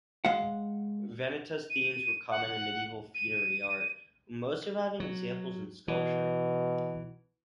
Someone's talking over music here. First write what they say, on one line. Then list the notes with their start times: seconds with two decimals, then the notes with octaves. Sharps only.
Vanitas themes were common in medieval funerary art, with most surviving examples in sculpture.
0.25 G#3 F5 F#5
1.70 D#7
2.30 F#5
3.15 D#7
5.00 F#3
5.88 B2 E3